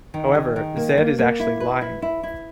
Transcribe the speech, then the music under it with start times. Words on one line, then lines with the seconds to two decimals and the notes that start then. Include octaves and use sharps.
However, Zedd is actually lying.
0.14 D#3
0.35 G#4
0.56 D#3
0.77 A#3
0.97 A#3
1.19 A#3
1.40 E4
1.60 B4
1.81 E4
2.02 E4
2.23 E4